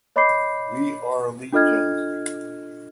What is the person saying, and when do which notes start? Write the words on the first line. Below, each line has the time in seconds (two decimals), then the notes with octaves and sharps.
We are Legion!
0.16 C#5 D#5 B5 D6 G6 C7
1.53 D4 F4 A4 D#5 F6 G#6